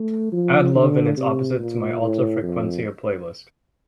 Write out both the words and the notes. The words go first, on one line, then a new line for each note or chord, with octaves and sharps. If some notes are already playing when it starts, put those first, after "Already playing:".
Add Love and Its Opposite to my Alta Frecuencia playlist.
Already playing: A3
F3
D3
C3
A#2
A2
F2